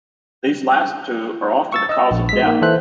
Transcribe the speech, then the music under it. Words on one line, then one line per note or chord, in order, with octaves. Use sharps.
These last two are often the cause of death.
C#6 E6 A6
D#5 E6
A#1
G#3 B6
A#3 D#4
E3 A4 C5 E5 F#6